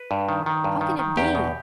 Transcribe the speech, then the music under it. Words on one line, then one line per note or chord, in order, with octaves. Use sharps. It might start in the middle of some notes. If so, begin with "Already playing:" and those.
How can it be?
Already playing: B4
G2
D#3
D#3
G2
D#3
D#3
E2 G4
B2